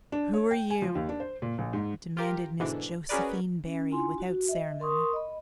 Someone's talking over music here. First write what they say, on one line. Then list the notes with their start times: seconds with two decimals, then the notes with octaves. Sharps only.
"Who are you?" demanded Miss Josephine Barry, without ceremony.
0.12 D4
0.34 C#5
0.51 G5
0.70 G#5
0.82 F3
0.95 D#2
1.09 D4
1.20 C5
1.42 A#2
1.58 A#1
1.73 G#2
2.17 F4 G4 A#4
2.59 G#2 B2 D3 E3 D4
3.09 C#4 F#4 G#4 A#4 B4 D5
3.65 C#4
3.90 D4 E4 F4 G#5 C6
4.18 F#4
4.49 D#5 E5
4.80 A#4 C6 C#6 D#6
5.13 D#5 B5